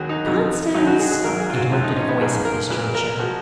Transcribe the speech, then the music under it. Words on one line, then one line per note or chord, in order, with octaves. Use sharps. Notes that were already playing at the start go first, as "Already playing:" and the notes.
"Constance!" interrupted a voice at this juncture.
Already playing: D#2 D#3 F#3 F#4 G#4
D#4
F2 C#3 F#3
D#2 D#3 F#3 D#4
F#4
G#4
G#4
G#1 G#2 F#3 A#4
G#4
F4
F#4
F#2 F3 G#3 F4
D#4
C#4
B3
A#1 G#2 F3 G#3 G#4
A#4
A#1 A#2 G#3 B4
A#4
A#4
A#4
F3 G#3 F#4